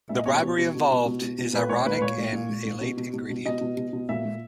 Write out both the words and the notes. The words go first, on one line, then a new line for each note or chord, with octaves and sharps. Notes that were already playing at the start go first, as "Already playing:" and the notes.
The bribery involved is ironic and a late ingredient.
A#2 E5
D#5
B2 C#5
B2
B2
B2
B2
B2
B2
B2
A#2 B4
A#2 C#5
A#2 B4
B4
A#2 C#5
A#2
A#2
A#2
A#2
B2
B2
B2
B2
B2 D#5
B2
B2
B2
A#2 E5
A#2